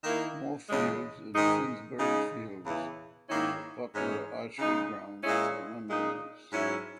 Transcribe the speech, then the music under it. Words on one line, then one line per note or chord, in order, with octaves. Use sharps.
Moorfields and Finsbury Fields were popular archery grounds for Londoners.
D#3 A#3 E4
E2 C#3 G#3
G#2 D#3 G#3 D#4
C#3 G#3 D#4
E2 C#3 E3
G#2 D#3 A#3 C#4 E4
G#2 E3 G#3 C#4
C#3 G#3 D#4
A#2 G#3 C#4 E4
A#2 G#3 D#4
G#2 F#3 C#4 E4